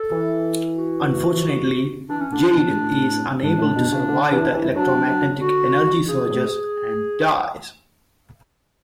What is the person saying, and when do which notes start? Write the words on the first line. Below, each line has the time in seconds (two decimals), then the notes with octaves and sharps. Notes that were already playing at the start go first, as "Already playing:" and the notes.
Unfortunately, Jade is unable to survive the electromagnetic energy surges and dies.
Already playing: A4
0.11 E3
0.77 F#4
2.09 E3 D4
2.21 C#4
2.32 D3 D4
2.53 B2
2.71 G#2
2.76 A2
3.42 G#2 D4
3.58 A2
3.76 B2
3.92 C#3
4.08 D3
4.31 E3
4.52 E3
4.74 F#3 D4
5.08 F#3
5.32 C#3
5.41 D3 F#4
6.08 C#3 G#4
6.29 A2